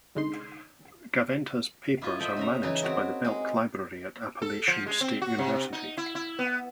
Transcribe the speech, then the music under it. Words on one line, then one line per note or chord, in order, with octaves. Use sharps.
Gaventa's papers are managed by the Belk Library at Appalachian State University.
C2 D3 G#3 D#4 C6
E4 F4 D#5
A4 C5 D#5 E5 F#5 G5
C#3 E5 A#5
C#3 E3 D#4 E4 B4
C4 F#4 A#4
G#3
A4
F3
G#3
C4
F#4
C3
D#4
E4
E4
B3